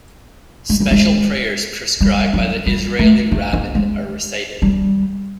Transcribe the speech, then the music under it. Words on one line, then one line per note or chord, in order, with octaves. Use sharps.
Special prayers prescribed by the Israeli rabbinate are recited.
G#3
G3
G#3
G3
F#3
G3
A3
A3
A#3
G#3
G3